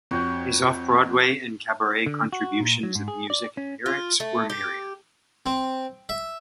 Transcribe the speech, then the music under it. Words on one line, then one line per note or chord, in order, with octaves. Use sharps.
His off-Broadway and cabaret contributions of music and lyrics were myriad.
F2 F#4 C#5 G5
D3
F#4
A#2
F#3
G#2
G#4
D5
C#4
F4
A3
G4
C4
E5